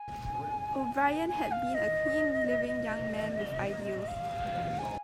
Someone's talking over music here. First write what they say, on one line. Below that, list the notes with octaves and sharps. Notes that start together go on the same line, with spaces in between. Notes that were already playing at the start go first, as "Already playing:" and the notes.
O'Brien had been a clean living young man with ideals.
Already playing: G#5
G#5
F5
D#5
D#5
F5
G#5